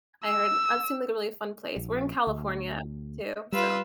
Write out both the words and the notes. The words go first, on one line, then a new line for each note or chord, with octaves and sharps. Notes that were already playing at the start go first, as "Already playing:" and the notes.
I heard that seemed like a really fun place. We're in California too, so
E6
A#1
D2
G3 F4 B4 E6